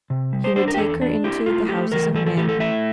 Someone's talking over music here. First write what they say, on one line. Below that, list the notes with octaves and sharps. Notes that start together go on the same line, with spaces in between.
He would take her into the houses of men.
C3
G3
C5
D4 C5
A#4
G4
E2 A4
D4
E4 G4
A3 F4
A3 G4
E3 A#4
E3 A4
A4
A3 G4
A4
E4 E5